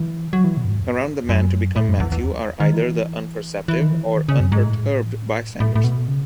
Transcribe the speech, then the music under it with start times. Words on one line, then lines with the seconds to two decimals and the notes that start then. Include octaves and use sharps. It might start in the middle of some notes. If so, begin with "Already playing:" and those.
Around the man to become Matthew are either the unperceptive or unperturbed bystanders.
Already playing: E3
0.33 F#3
0.44 E3
0.57 B2
0.65 F#2
0.68 G#2
0.81 E2
1.29 F#2
1.76 A2
1.89 F#2
2.00 E2
2.12 E2
2.60 D#3
2.73 E3
3.68 E3
3.81 D#3
3.92 E3
4.16 D#3
4.29 C#3
4.40 F#2
4.52 G#2
4.65 A2
5.60 A2
5.75 A2
5.84 B2
6.08 C#3